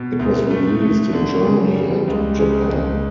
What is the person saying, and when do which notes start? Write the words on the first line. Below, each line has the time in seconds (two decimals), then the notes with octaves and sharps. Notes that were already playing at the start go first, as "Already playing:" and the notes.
It was released in Germany and Japan.
Already playing: B2
0.19 D2
0.50 A3
0.82 A3
1.13 D3
1.44 C#3
1.75 G3
2.07 C#2
2.39 C#3
2.70 C#2